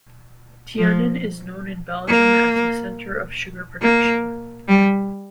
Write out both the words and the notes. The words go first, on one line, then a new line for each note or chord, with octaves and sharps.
Tienen is known in Belgium as the center of sugar production.
F3
A#3
A#3
G3